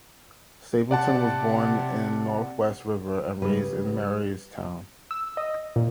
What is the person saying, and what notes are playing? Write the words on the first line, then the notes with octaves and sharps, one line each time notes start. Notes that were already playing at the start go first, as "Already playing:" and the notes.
Stapleton was born in North West River and raised in Marystown.
C3 D5 F#5 A5
C#3 G3 B4
E6
D#5
A#2